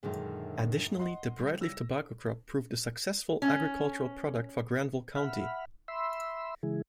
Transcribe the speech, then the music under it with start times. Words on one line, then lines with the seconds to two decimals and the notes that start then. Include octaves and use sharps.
Additionally, the bright leaf tobacco crop proved a successful agricultural product for Granville County.
0.03 F#2 A#2 D3 D#3 G#3
0.99 D#5 F#5 C6
1.39 C#3 G3
1.61 E6 A#6
3.42 C#4
5.16 E5 F#5 B5 F6
5.88 E5 B5 C6 E6
6.63 C#3 E3 G#3 E4 G#4